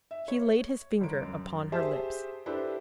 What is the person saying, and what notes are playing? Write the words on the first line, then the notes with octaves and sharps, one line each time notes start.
He laid his finger upon her lips.
E5
C#5
G1 D7
F#2
G4 G#4 C5 E5 A5
D4 E4 G4 A4 B4 C5